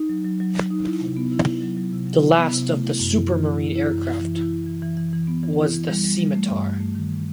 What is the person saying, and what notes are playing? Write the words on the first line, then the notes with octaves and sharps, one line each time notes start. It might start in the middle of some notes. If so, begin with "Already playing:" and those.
The last of the Supermarine aircraft was the Scimitar.
Already playing: D#4
F#3
F#3
F#3
F#3
D#4
E4
C3
B3
E4
E4
F#3
F#3
C3
F#3
E4
B3
C3
A3
E4
F#2
E4
E3
E4
E4
E4
F#2
E4
E3
E4
E4
E3
E3
E3
E3
B3
E3
E4
E3
G3
G3
G3
A3
G2
A3
A3
D#3